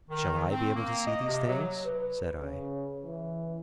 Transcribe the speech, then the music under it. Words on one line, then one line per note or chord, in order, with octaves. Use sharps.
"Shall I be able to see these things?" said I.
D#3
C4
A#3
D#5
C3
F#3
B4
C#3
E3